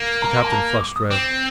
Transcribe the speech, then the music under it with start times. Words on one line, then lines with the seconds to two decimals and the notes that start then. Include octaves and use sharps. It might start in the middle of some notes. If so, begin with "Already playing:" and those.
The captain flushed red.
Already playing: A#3
0.22 A#5
0.37 C6
0.44 A5
0.52 A#5
0.81 D6
0.96 D#6
1.11 C4 D6